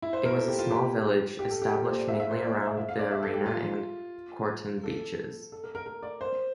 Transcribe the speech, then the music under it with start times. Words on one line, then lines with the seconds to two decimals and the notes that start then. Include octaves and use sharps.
It was a small village, established mainly around the Arena and Corton beaches.
0.02 E4
0.13 C5
0.25 A#4
0.36 A4
0.48 G4
0.59 F4
0.71 G4
1.39 G4
1.51 A4
1.62 G4
1.74 A4
1.85 C5
1.97 D5
2.08 E5
2.20 E5
2.31 C5
2.43 D5
2.54 E5
2.66 E5
2.77 E5
2.89 F5
2.99 D5
3.11 E5
3.23 A4
3.34 G4
3.46 F4
4.84 A4
5.52 A4
5.64 A#4
5.75 A#4
5.86 A#4
6.03 D5
6.21 C5